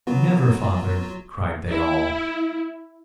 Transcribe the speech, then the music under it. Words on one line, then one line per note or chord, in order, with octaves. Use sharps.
"Never, father!" cried they all.
F#3 B3 F4 F#4
E4